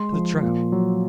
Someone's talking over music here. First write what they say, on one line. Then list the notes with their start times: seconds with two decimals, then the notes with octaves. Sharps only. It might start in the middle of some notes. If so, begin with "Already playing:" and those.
"To the trap!"
Already playing: G#3 C6
0.13 F3
0.43 A#2
0.72 F#3